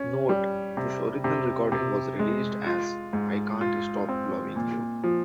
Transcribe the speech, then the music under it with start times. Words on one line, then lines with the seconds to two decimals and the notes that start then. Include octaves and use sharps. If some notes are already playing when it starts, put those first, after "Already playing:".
"Note": This original recording was released as "I Can't Stop Lovin' You".
Already playing: C#4
0.29 G3
0.77 C3
1.24 C3
1.72 C3
2.19 G#3
2.66 F4
3.13 G#2
3.61 F4
4.09 C4
4.56 A#2
5.04 F3